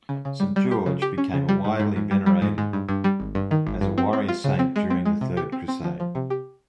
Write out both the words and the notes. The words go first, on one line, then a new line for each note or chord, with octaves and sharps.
Saint George became widely venerated as a warrior saint during the Third Crusade.
C#3
C#3
G3
G3
G4
C#3
G4
C#4
C#3
G3
G#2
G#2
G#2
G3
G3
G#2
G#2
G2
G2
G3
G#1
G2
D#3
G#1
G2
C4
C4
F4
C#3
C4
G#3
C4
G#3
C3
G4
C4
C4
F3
F3
C3
G4